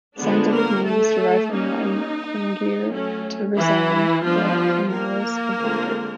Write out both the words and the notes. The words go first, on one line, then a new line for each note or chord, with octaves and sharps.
The scientific name is derived from Latin "clangere", "to resound", and "hyemalis", "of winter".
D3 F3 G#3 B3 D4
A#3 A#4
A3 A4
G3 A#3 C#4 D#4
F#3 A3 C#4
E3 E4
F3 G3 B3 D4 F4
A#3 A#4
D3 F3 G#3 C4